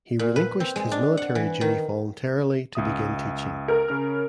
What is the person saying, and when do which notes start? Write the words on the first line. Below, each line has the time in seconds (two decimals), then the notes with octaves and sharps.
He relinquished his Military duty voluntarily to begin teaching.
0.19 A#2
0.36 B4
0.60 C4
0.76 G#3
0.92 D4
1.17 F#5
1.35 E3
1.61 D#3
2.75 C#2 E5 D#6
3.68 A#4
3.89 C#3 C#4 F6